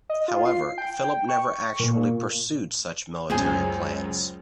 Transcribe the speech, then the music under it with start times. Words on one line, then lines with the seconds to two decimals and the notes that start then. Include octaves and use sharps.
However, Philip never actually pursued such military plans.
0.10 D#5
0.28 F4
0.46 C7
0.78 G5
1.04 G5
1.29 C#6
1.80 A#2
3.30 C#2 F#2 G#4 C5 G#5